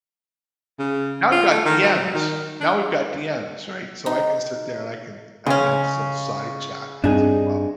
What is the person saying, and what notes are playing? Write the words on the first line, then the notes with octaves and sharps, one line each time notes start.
now we've got DMs now we've got DMs, right? So, I can sit there and I can I can have this little side chat with you while,
C#3
F4
A3
D#3
F#3
D#3
D4
D#4
C#3 G#3 C#4
G2 C4 D4 D#4 G#4